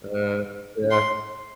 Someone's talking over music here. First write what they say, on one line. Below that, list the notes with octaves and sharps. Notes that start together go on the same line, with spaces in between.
Uh, yeah.
C6